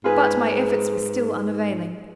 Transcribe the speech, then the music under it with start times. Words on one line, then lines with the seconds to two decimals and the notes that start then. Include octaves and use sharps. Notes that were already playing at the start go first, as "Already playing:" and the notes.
But my efforts were still unavailing.
0.04 G#2 F4 G#4 B4